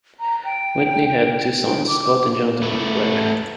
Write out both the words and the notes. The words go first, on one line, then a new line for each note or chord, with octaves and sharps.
Whitney had two sons, Scott and Jonathan Dweck.
A#5
G5
G5
D6
A3 B3